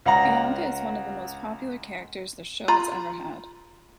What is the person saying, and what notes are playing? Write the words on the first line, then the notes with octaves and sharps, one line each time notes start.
Bianca is one of the most popular characters the show has ever had.
C#2 F5 F#5 A#5
F4 A#5 B5